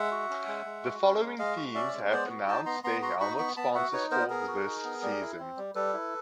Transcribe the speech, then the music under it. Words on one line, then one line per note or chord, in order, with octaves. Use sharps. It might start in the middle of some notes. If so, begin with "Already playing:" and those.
The following teams have announced their helmet sponsors for this season.
Already playing: G#3 E5 F#5
F#4
C#4
G#3
G#3
F#4
C#4
G#3
G#3 D#5 F5
F#4
C#4 D5 E5
G#3
B3 C5 D5
F#4
D#4 G5 A5
B3 A#5 C6
B3 A#5 C6
F#4 A#5 C6
D#4 B5 C#6
B3 B5 C#6
B3 A5 B5
F#4 E5 F#5
D#4 B4 C#5
B3 A#4 C5
B3 G#4 A#4
F#4
D#4
B3
G3
E4
C4
G3
G3 A4 B4
E4